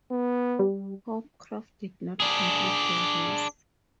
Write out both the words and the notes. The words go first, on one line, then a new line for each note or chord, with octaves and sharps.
Hopcroft did not complete the race.
B3
G3
D4 G#4